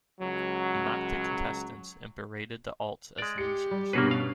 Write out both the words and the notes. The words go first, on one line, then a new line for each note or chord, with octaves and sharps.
He mocked the contestants and berated the alts as "losers".
C#2 F#3
G#3 D5
G4 C#7
G3
G2 B2 A#3 C#4 F#4 B4 C#5 C7
F5